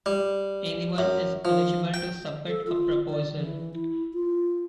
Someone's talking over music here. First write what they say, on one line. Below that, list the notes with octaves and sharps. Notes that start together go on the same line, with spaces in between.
Anyone is eligible to submit a proposal.
G3
F#2
F3
G5
A4
F4
D5
E3
E4
F4